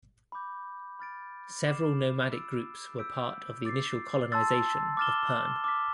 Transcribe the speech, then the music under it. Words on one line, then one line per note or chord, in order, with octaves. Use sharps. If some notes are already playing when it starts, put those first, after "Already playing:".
Several nomadic groups were part of the initial colonization of Pern.
B5 D6 G6
B5 F6 A6 D7
D6 F6 C7 E7
E6 A6 D7
E6 G6 B6 D7
D6 A6 C7
A5 C6 E6 A6
D6 F6 A6 E7 G7
D6 F6 B6